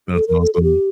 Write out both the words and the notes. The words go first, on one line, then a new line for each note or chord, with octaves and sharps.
That's awesome.
A4
A#4
A4
A4
G4